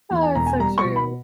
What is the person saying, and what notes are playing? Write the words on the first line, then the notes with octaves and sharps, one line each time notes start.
Oh, it's so true.
E2
G#5
E1 A#5
G#5
G3 A#5
C#6
B2
B5